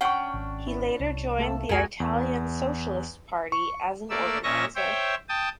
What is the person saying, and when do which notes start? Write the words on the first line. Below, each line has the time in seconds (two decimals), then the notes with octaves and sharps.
He later joined the Italian Socialist Party as an organizer.
0.01 C#4 D4 F#5 G5 C#6
0.34 G#1
0.67 E4
1.00 C2
1.39 A3 A#3 A4
1.69 C2 F2 G#3 E4 F#4 G#4 A#4 G#5
2.00 E2
3.52 C#6
4.10 A3 A#3 D5 E6
4.44 A#2 C#4 D#5 E5 C#6 A#6
4.76 C5 C#5 E5 G5
5.29 G5 A5 D#6